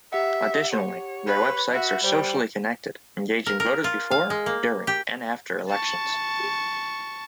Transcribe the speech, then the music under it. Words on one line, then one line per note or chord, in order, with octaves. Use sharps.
Additionally, their websites are socially connected, engaging voters before, during, and after elections.
G4 E5 F#5
C#5
B4
F#4 E5
G3 C5 G5
A#4
A#4
F4
F5
G#3
A#3
G4
A5 C#6